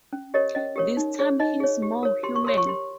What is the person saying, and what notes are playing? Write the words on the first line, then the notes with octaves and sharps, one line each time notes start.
This time he's more human.
C#4
G4 A#4 C#5 D#5
C#4 D#5
G4 A#4 C#5
D#4
G#4 C#5
D#4 D#5
G#4 C#5
G4
A#4 C#5
G4 C6
C#6
A#4 C#5 C6
C#6
G4 C6